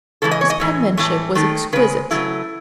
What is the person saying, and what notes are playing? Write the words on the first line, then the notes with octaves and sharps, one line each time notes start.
His penmanship was exquisite.
C#3 E3 G#3 A4
D#5
C#5
D#5
A2 E3 G#3
A2 E3 A3
D#3 A3
C#3 G#3 B4
C#3 F#3 A3 E4